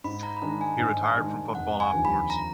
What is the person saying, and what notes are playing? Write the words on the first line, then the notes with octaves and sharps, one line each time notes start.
He retired from football afterwards.
G#2 B5
A#5
B5
D#3 G#3 D4 G#4 A#5
G#5
G#2
D#3 G#3 D4 G#4
F1 F#5
G#5
D#2 D3 F3
B5
A#5